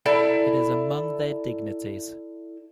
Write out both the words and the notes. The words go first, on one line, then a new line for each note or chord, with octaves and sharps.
It is among their dignities.
E4 A4 D5 A#5